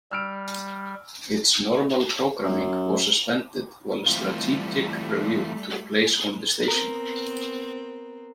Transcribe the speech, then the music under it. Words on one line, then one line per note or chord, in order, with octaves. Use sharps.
Its normal programming was suspended while a strategic review took place on the station.
G3 E6 F6 D7
F#2
E3 G3 A3 C4 F4
B3 C4 A#4